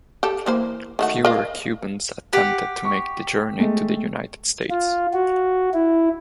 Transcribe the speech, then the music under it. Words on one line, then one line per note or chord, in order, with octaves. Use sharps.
Fewer Cubans attempted to make the journey to the United States.
G4 A4
E3 A#3 C5
D#3 A3 F#4
A#4 D#5 F5
G4 F#5
C#6
G#3 A3
F4
F#4
E4